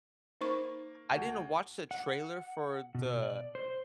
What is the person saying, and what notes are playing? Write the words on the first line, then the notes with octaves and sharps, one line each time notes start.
I didn't watch the trailer for the
A#3 D#4 C5 C#6
D2
F#5
B2
D5
C5